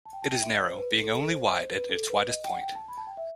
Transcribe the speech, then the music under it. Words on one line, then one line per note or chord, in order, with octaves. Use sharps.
It is narrow, being only wide at its widest point.
A5
G5
A5
G5
E5
D#5
C5
B4
A4
A4
A4
C5
D#5
C5
B4
A4
B4
D#5
G5
F#5
G5
A5
B5
A5
G5
E5